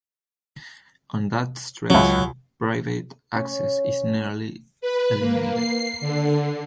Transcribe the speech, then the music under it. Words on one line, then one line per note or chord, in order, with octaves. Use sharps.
On that stretch, private access is nearly eliminated.
C#2 C#3 F#3
C#4
B4
A#3
C7
D3